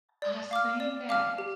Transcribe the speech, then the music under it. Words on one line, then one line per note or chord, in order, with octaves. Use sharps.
I seen that.
D5
F5 D6 F6
D5
F5 D6 F6
G4